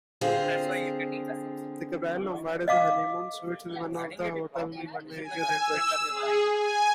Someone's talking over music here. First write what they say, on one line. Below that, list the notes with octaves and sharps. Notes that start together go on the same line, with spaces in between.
The Gable-Lombard honeymoon suite is one of the hotel's major attractions.
D3 C4 F4 G#4
D#5 F5 D6
G#5
E6
G#4
G#5